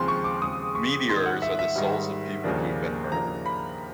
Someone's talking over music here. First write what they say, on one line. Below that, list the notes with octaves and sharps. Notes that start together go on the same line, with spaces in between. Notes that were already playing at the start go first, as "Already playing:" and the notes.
Meteors are the souls of people who have been murdered.
Already playing: D#2 C#3 F3 G#3 C4 C6
C#6
D6
D#2 C#3 F3 G#3 C4 D#6
C#6
G#2 D#3 G3 C6
F#5
E5
E5
G#2 D#3 G3
D#2 C#3 F3 A#3 D4
D#2 C#3 F3 A#3 D4 A#5
B5